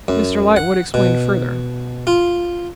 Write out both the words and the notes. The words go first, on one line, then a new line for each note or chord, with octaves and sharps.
Mr Lightwood explained further.
F#2
F#5
B2
F4